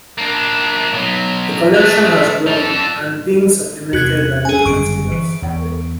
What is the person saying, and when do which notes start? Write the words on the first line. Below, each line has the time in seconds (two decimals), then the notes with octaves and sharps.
The collection has grown and been supplemented by loan materials.
0.18 A#3 D4
0.94 B2 F#3
1.74 E3 A3
2.47 F3 A4
3.93 E2 C3 F#4 F#6 G#6
4.45 G#4 G#5
4.65 G1 F#2 C#3 C#6 D7
5.11 E3
5.42 E2